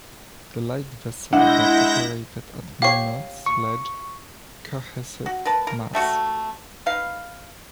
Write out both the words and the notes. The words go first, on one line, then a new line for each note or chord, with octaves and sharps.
The lightvessel that operated at Minots Ledge, Cohasset, Mass.
G#3 D4 E4 E5 F#5 G6 A#6
G4 C#5 F5 C7
C#6
F#4
A#4 B4 A5
A#4
G3 A3 F#4 A4
D#4 B4 F5